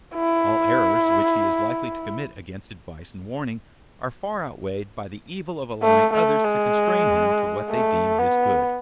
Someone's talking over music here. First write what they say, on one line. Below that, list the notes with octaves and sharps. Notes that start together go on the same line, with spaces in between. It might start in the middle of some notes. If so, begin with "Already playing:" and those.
All errors which he is likely to commit against advice and warning, are far outweighed by the evil of allowing others to constrain him to what they deem his good.
E4
A3
A3
G#3
A3
B3